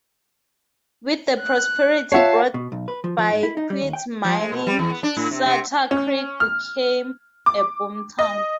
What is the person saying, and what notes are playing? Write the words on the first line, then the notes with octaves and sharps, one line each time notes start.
With the prosperity brought by quartz mining, Sutter Creek became a boomtown.
F#6
F4 C#5 E5 F#5 A5 C7
B2
B1
B4
F3
F3
G#2
E4
D#4
G3
D#2
G5
F3
G#3
B2
G3
E2
B3
D4
A2
C3
C3
C#4
F6
D6
D#5